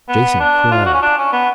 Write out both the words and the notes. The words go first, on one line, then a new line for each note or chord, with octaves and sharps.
Jason crawled.
B3
D4
F4
F#4
C#4
D4
C#4
B3